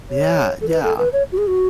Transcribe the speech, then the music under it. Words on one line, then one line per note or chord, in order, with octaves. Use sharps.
Yeah, yeah.
C#5
A4
B4
A4
B4
C#5
F#4
G#4
F#4